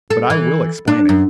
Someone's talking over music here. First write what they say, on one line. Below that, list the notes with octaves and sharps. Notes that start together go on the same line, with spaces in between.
But I will explain it.
A4
E3
D4
F#2